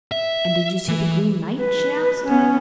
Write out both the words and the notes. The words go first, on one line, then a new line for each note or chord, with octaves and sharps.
'And did you see the Green Knight?' she asked.
E5
E3
B4
B3 C#4